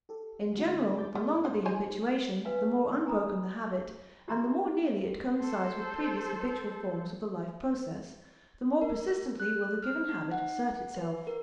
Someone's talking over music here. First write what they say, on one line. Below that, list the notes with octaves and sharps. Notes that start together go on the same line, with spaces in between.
In general, the longer the habituation, the more unbroken the habit, and the more nearly it coincides with previous habitual forms of the life process, the more persistently will the given habit assert itself.
G4 A4
D3 A3 F#4
D6 G6 A6
A#2 A3
F4
G3 D#4 F4 C5 C#5 G#5
B4 F5 G#5
G#5 A#5 B5 D#6
F4 G4 D#5 A#5 C6
A4 C5
A#4
F#6
F6
D#4
F#5
B4
A#4